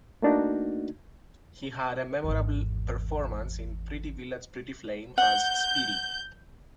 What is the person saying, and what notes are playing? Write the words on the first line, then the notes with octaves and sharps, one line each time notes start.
He had a memorable performance in "Pretty Village, Pretty Flame" as Speedy.
A3 A#3 D4 D#4 F#4
G#1 E2
F#5 G6